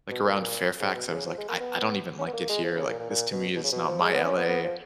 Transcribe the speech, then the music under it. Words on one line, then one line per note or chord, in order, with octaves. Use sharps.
Like, around Fairfax, I was like, "I I don't even like it here," like, "this to me is not my LA,
B2
A#2
G#2
B2
C#3
F3
G#3
A#3
B3
C#4
B3
A#3
G#3
F3
C#3
A#2
A#2
A#2
B2
B2
C#3
B2
F3
G#3
B3
C#4
B3
B3
F3